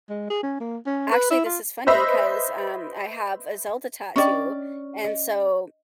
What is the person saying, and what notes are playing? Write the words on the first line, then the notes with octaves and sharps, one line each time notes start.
actually, this is funny 'cause, um, I have a Zelda tattoo. And so,
G#3
G#4
C#4
A#3
C#4
B4
E4
F4
B4 C5 D#5 E5 B5
C#4 D4 D5 D#5 G5
D#5